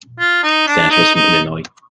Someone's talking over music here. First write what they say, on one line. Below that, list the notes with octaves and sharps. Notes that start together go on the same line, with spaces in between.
Senators from Illinois.
F4
D#4
D4
D#4
D#4